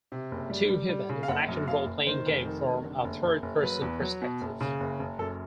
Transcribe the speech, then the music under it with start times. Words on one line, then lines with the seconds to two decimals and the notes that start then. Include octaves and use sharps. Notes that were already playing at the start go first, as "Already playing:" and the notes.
"Too Human" is an action role-playing game from a third-person perspective.
0.12 C3
0.31 F#1
0.50 G3
0.70 G3
0.89 G3
1.09 C#3
1.23 F5
1.28 F#1 F#5
1.48 F#2
1.68 F#1 F5
1.87 F#1
2.07 D#3 C5
2.26 F1
2.46 D#3
2.65 F1
2.84 D3
3.04 F#1
3.23 F#1
3.42 F#1
3.62 F#3 B4
3.82 E2
4.01 F#3
4.22 B2
4.41 F#1
4.61 C#3
4.80 F#1
4.99 F#1
5.18 F#2 A4